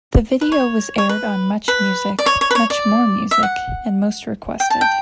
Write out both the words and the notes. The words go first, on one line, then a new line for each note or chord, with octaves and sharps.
The video was aired on MuchMusic, MuchMoreMusic and Most Requested.
B4
C#5
C#5
B4
B4
D5
C#5
C#5
B4
C#5
D5
E5
F#5
G5
A5
G5